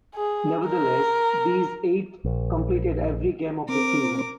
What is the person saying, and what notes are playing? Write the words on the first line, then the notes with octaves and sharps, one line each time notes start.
Nevertheless, these eight completed every game of the season.
G#4
A#4
A#1
C4 A#4 D6